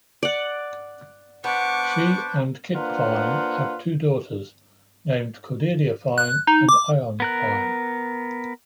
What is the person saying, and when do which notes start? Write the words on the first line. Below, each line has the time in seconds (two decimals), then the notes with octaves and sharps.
She and Kit Fine have two daughters named Cordelia Fine and Ione Fine.
0.23 D5 F#5
1.44 B3 D4 B4 C5 C#6 D6
2.75 A#3 D4 F4 B4 C5 F#5
6.18 F#6
6.47 D#4
6.69 D6
7.20 B3 A#4 F#6